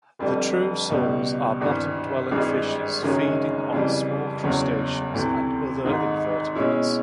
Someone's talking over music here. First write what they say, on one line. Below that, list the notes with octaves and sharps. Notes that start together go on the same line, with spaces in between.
The true soles are bottom-dwelling fishes feeding on small crustaceans and other invertebrates.
F1 F2 D3 G3
C#2 B2 G3
G#1 G2 E3
G#1 G2 E3 G#3
F#1 F#2 D#3 G#3 C#4
F2 C#3 E3 G3
F#1 E2 C#3 F#3
D2 C3 E3 A3
G#1 G#2 D#3
B2 G#3 C#4 E4